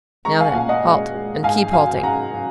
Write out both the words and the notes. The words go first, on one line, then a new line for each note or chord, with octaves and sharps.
Now then, halt--and keep halting!
G#3 A#5 C#6
F5 G#5
F#5
A#2 F5 G#5
D#5 F#5
G#3
G#3
G#2 F5 G#5
F#3 F5 G#5
G#2 F#5 A#5
F#3